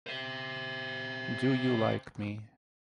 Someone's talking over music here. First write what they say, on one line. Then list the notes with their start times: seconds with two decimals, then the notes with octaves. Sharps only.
Do you like me?
0.07 C5 E5